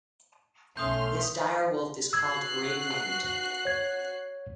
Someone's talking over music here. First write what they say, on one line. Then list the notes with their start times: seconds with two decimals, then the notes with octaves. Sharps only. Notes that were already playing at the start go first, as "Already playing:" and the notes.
His dire wolf is called Grey Wind.
0.77 B1 A3 C#4 C6 D#6 F6 G6
2.13 F#4 E6 F#6 G#6 C7
3.65 C#5 G#6